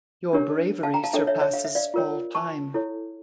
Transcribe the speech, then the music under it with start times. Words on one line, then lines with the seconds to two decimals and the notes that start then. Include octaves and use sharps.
Your bravery surpasses all time.
0.33 D4 G4 A#4 C#5
0.83 F5 A5
0.94 G5 A#5
1.04 F5 A5
1.13 D4 A4 C#5 E5 G5
1.27 C#5 E5
1.40 C#5 E5
1.54 F5
1.65 E5
1.75 D5 F5
1.94 F4 A#4 C#5
2.35 A5 C#6
2.74 E4 A4 C#5